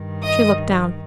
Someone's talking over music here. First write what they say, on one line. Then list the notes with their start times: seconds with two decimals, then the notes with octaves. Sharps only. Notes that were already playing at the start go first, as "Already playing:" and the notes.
She looked down.
Already playing: G2 D#3
0.22 D#5 D#6